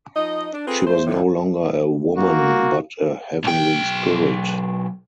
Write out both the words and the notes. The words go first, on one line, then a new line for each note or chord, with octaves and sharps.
She was no longer a woman but a heavenly spirit.
F3 D#4 D#5
D4
C4 F4 G#4 A4 B4
A3 C5
F2 A2 D3 F3
A#3 F#4
B1 G5